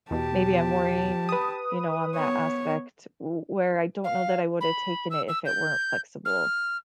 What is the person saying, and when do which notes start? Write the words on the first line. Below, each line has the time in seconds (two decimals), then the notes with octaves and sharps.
Maybe I'm worrying, you know, on that aspect wh where I don't know that I woulda taken it if it weren't flexible.
0.11 E2 B2 G4 A5
1.29 B4 D#6
2.15 B3 C#5
4.04 F5
4.61 B5
5.10 E6
5.28 E6
5.45 G6
6.25 F6